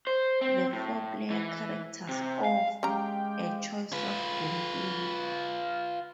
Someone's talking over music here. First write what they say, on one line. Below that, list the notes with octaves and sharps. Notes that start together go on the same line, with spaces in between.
The four player characters offer a choice of gameplay.
C5
C4
A2
E3
C3
F5
G#3 C#4 G4 F5 G5 A#5
F4 B4